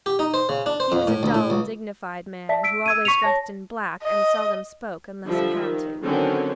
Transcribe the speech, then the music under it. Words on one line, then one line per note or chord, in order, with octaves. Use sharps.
He was a dull, dignified man who always dressed in black and seldom spoke unless he had to.
G4
D#4
C5
C#3
D4
C5
F2
A2
D2
A2
C#2
D5 E5 A5 B6
E6 B6 D7
E6 G#6 D#7
C#6 B6 C#7 D#7 F7
C#5 A5 A#6
D#5
D3 F3 G3 E5
D#3
D3 D#3 F#3 C4 C#4